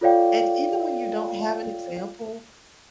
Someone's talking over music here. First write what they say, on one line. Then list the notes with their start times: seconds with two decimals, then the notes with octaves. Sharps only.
And even when you don't have an example
0.01 F4 A4 C#5 D5 F5 G5